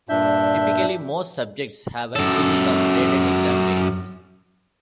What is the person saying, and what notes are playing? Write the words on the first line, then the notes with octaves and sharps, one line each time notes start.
Typically, most subjects have a series of graded examinations.
G2 A#2 D4 E5 G6
F#2 A4